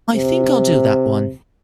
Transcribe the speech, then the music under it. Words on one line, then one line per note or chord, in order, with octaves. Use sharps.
I think I'll do that one.
C3